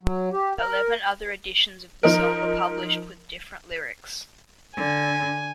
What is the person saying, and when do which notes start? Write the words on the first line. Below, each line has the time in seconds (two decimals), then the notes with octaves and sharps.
Eleven other editions of the song were published with different lyrics.
0.03 F#3
0.32 G4
0.59 A#4
2.03 F3 D#4 A#4
4.76 D3 G#5